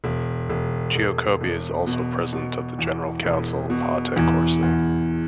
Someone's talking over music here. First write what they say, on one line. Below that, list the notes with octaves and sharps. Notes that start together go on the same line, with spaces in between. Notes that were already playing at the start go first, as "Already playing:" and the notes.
Giacobbi is also President of the general council of Haute-Corse.
E1
E1
E1
E1
B2
B2
E2
E1
B2
E2
E2